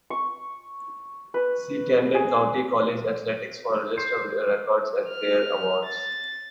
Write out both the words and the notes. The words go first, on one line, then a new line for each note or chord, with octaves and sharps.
"See Camden County College Athletics for a list of records and player awards".
C#6
B4
G#4
C5
F6
A6